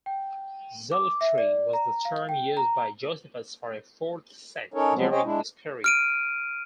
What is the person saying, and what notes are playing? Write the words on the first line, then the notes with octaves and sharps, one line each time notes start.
Zealotry was the term used by Josephus for a "fourth sect" during this period.
G5
D6
E5
D5
A#5
F5
G5
A#5
C#4 D#4 A4 A#4 C#5
F3 F#3 G#3 B3 C4
C#4 C5 C#5 D#5 G5
G#3 D4 E4
F6 D7 D#7